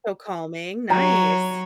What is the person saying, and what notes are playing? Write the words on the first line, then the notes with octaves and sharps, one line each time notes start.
So calming, nice.
F#3 C#5 A#5